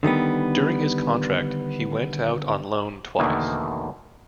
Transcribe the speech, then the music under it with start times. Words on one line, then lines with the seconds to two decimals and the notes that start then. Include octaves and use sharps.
During his contract he went out on loan twice.
0.03 D3 D#3 G3 B3
3.19 E2 B2 D3 D#3 A3 A#3